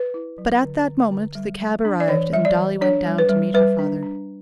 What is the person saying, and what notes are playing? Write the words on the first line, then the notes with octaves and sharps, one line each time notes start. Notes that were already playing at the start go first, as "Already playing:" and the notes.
But at that moment the cab arrived, and Dolly went down to meet her father.
Already playing: B4
E4
F#3
D3
D3
D3
G3
G3
D4
D5
E3 C#5
G3 E5
D5
E3
D4 C#5
G3
B4
G3
G3 B4
D4
D4